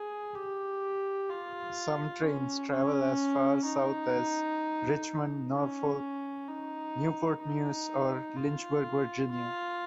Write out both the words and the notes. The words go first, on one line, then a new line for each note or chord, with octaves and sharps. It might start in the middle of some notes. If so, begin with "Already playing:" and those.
Some trains travel as far south as Richmond, Norfolk, Newport News or Lynchburg, Virginia.
Already playing: G#4
G4
F4
C#4
C#4
D#4
C#4
D#4
D#4
F4
F4